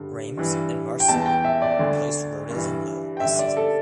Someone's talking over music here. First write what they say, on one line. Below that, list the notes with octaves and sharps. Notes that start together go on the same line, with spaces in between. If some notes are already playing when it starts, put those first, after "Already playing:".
Reims and Marseille replaced Rodez and Lille this season.
Already playing: G2 D3
G2 E3
G5
E2 E3 A5
G5
E5
D5
D2 D3
G2 E3
G5
G2 D3 E5
D5
A4